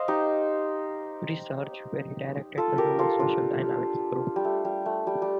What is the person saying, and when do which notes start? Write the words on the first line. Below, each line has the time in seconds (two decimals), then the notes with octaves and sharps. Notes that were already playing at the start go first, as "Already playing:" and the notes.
Research, where he directed the Human Social Dynamics group.
Already playing: C5 D#5 F5
0.08 D#4 G4
2.58 F4 A4
2.78 G4 A#4
2.99 F4 A4
3.19 D4 F4
4.36 G3
4.45 A3
4.65 G3
4.86 A3
5.07 G3
5.22 G3